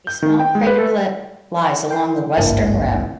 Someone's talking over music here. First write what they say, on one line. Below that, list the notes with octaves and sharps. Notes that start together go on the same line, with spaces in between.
A small craterlet lies along the western rim.
G6
D#3
G5
G#3
B4
A4
A#4 G5 C6
G#1 C#2 G2 A#3 D4 E4